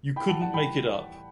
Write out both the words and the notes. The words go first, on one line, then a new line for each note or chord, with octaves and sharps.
You couldn't make it up.
A2 G5 B5
F#5 A5
E3 G3 F#5 A5
G5 B5
A2